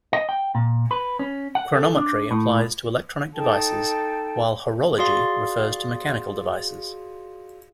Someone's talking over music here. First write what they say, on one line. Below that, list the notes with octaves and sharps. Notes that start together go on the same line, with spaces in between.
Chronometry applies to electronic devices, while Horology refers to mechanical devices.
D#5
G5
A#2
B4
C#4
F#5
A4
D4
A2
D#4 A4 G5 A5
F4 F#4 G#4 D5 F5 C6